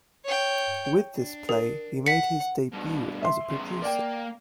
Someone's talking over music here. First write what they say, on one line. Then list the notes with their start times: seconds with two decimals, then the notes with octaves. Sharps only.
With this play, he made his debut as a producer.
0.25 C#5 G5
1.17 D4
1.49 A#4
2.06 F#5 B6 C#7
2.72 G2 B2
3.22 E5 C6
3.50 E2 C#3
3.82 A#3 D5 G5